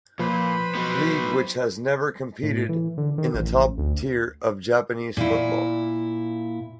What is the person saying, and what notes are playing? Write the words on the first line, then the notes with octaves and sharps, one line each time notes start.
League which has never competed in the top tier of Japanese football.
A#2 F3 B4 C5 B5
F#3 B3
A2
E3
D3
D#3
A1
A1
D2
A#2 E4